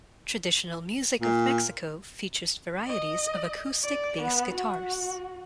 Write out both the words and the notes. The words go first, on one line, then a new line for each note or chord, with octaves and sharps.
Traditional music of Mexico features varieties of acoustic bass guitars.
A#2
D#5
D5
B3
F#4